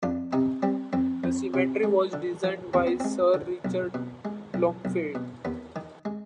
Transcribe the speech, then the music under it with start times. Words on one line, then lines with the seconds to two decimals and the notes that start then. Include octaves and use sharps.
The cemetery was designed by Sir Richard Blomfield.
0.03 F2 D4 F4
0.33 C3 C4 D#4
0.63 G3 C4
0.93 F2 C4
1.24 F2
1.54 C3
1.83 G#3
2.13 D3
2.44 F3
2.73 D#2 C4
2.87 B3
3.00 G#3 C4
3.34 D3
3.65 B1
3.94 B2
4.25 G#3
4.54 B1
4.85 B1
5.15 B2
5.45 D#2 B3
5.76 D#3
6.05 G#3